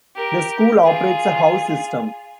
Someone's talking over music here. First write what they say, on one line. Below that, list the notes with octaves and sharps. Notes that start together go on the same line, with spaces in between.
The school operates a house system.
G4 A#4
F4 G#4